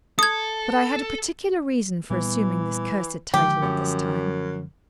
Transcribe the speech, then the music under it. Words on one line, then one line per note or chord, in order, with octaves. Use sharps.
But I had a particular reason for assuming this cursed title at this time.
A4 D#6 G#6
A#2 E3 G3 B3
D3 D#3 F3 G#3 G4
F#2